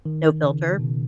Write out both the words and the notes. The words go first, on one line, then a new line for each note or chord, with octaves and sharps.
No filter.
D#3
C#3
B2